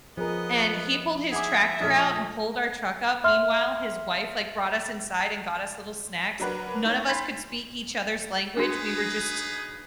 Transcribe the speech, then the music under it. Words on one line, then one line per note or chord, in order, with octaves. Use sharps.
and he pulled his tractor out and pulled our truck up. Meanwhile, his wife, like, brought us inside and got us little snacks. None of us could speak each other's language, we were just
F3 B3 G#4 A#4 D#5
G#4 E5 F#5 G#5 D6
A#1 A3 D#5 F6
E5 C6 F6
F#3 D4 A#4 B4 F#5 F#6
D#4 C#5
B5 C6 G6 A6 B6 C7
D4 D#4 F#4 G#4 B4